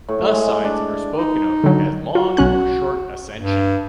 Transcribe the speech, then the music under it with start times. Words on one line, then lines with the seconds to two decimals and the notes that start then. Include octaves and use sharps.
Thus, signs are spoken of as "long" or "short" ascension.
0.09 A2
0.32 G#3
0.65 D4
1.18 D#4
1.64 D3 F#3
2.15 F4 F#4
2.37 B1 C#4 F#6
3.39 G2